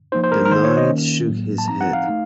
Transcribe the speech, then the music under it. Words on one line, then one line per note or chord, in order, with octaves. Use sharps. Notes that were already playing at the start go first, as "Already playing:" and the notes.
The Knight shook his head.
F3 A#3 D#4 C5
C5
A#4
A#4
D#3 A#3 D#4 C5
C#5
D#5
D#3 A#3 C#4
A2 F#3 A#3
A5
F3 C4 D#4 A#5
F#5
F5
A3 D#4